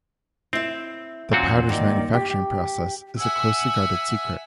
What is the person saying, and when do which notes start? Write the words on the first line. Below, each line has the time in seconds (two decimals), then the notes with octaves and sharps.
The powder's manufacturing process is a closely guarded secret.
0.53 C4 E4 E5
1.32 E2 A#2 F3 C4 C#4 F#4
1.69 G2 D#3 A#3 D5
2.14 G4
3.18 E5 F#5 G#5 E6